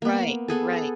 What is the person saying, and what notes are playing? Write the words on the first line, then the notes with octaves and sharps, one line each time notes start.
Right, right.
A#3 B3
B3 G#4 A4